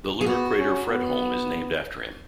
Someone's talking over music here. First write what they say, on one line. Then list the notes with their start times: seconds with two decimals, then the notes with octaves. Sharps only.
The lunar crater Fredholm is named after him.
0.21 G#4
0.26 B3 F#4
0.58 C#4
0.92 B3